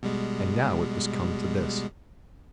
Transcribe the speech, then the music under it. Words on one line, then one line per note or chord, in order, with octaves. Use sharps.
And now it was come to this.
B2 G3 G#3